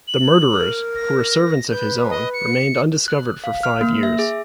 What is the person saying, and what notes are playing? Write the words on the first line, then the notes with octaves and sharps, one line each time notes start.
The murderers, who were servants of his own, remained undiscovered for five years.
F#7
A#4
A#6
B4 G6
D#5
C#7
F#6
F5
F6
A#3
E5
G#4